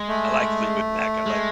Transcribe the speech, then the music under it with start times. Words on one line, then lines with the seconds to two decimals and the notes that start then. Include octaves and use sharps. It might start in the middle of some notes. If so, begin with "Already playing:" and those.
I like Fleetwood Mac, I like
Already playing: G#3
0.08 A3
1.25 G#3